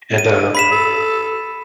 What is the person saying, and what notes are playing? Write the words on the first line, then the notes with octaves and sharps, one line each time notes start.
and, uh,
D#7
B5 B6 E7
A4